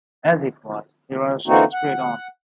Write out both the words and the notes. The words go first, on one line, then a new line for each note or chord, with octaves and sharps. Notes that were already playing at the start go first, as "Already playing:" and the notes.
As it was, he rushed straight on.
D3 E3 A#3 C4 D#4 F#4
F#5